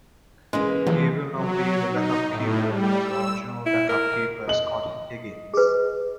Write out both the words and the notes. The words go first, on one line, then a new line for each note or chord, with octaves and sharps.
He will now be the back up keeper to original backup keeper Scott Higgins.
C#3 E3 G#3 A#3
A#2 E3 F3
F#3
D#4
A2
G3
E6
E4
A#4
D#5 F#7
G#4 B4